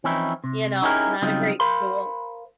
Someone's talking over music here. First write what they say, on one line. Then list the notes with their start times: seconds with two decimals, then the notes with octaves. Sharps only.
you know, not a great school."
0.04 E3 F3 C4 C#4 D#4 E4
0.44 C3
0.82 C#4 D#4 E4 G4 G#4 A#4
1.22 C#3 F#3 G3 C4 D#4 F4
1.60 A#4 C5 F5 B5 C6